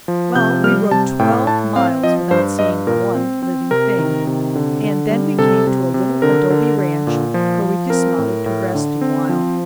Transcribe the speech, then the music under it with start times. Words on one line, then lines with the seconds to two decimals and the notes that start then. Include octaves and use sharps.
Well, we rode twelve miles without seeing one living thing, and then we came to a little adobe ranch where we dismounted to rest a while.
0.08 F3
0.35 C3 G6
0.64 G3 F6
0.91 C3 A5
1.19 A2 G5
1.47 A2 A5
1.76 C4 F5
2.03 F3 D#5
2.31 G2 C5
2.59 G2 D#5
2.87 A#2 A#4
3.15 C4
3.43 C4
3.71 C3 A#4
3.98 D#3
4.27 C3
4.55 D3
4.83 D3
5.10 G3
5.39 C3 A4
5.67 C3
5.94 C3
6.22 D3 A#4
6.50 D3
6.78 D3
7.07 A#2
7.34 F3
7.62 F3
7.90 C4 A#4
8.18 A2
8.46 A2
8.75 D3
9.01 C4
9.29 F3